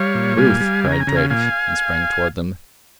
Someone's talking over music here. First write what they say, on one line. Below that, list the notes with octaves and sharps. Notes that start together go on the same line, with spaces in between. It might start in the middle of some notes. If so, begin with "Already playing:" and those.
"Ruth!" cried Drake--and sprang toward them.
Already playing: G3 C#5 F5
A#2
G3 F5 G#5
G3
C#3 G#5
A#5
G#5
C#3 A#5
F5 G#5
A#2 F5 G#5